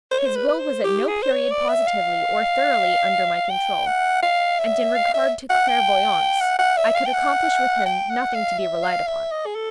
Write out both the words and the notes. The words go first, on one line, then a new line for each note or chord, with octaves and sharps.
His will was at no period positively, or thoroughly, under my control, and in regard to clairvoyance, I could accomplish with him nothing to be relied upon.
C5
C#5
C5
B4
B4
C5
G4
G#4
C5
C#5
D5
E5
F5
G5
F#5
F5
E5
F5
E5
F#5
G5
F#5
F#5
E5
F5
G5
F#5
G5
F#5
F5
E5
F5
E5
D#5
G#4
A4